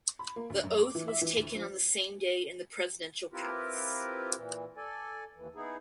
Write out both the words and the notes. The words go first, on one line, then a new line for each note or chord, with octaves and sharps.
The oath was taken on the same day in the Presidential Palace.
B5
A#3
D2
F#2
D6
E3
E5
E3
D2
F3
C4 E4 F4 G4 A#4 B4
A#2 E3
A4 D5 G#5
D#2 E3
B3 D#4 E4 G#4